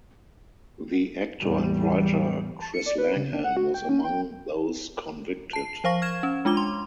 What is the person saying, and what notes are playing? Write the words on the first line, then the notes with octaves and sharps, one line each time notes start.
The actor and writer Chris Langham was among those convicted.
E2 A2 F#3 G3
A5
C#7
D5
B4
C#3
D4
F#5
F#4
G5
C#4
G5
A5 C7
F3 C5 F5 C#6 A#6
F6 G#6 E7
C#4
G#3 D4 F4 D6 G7
C6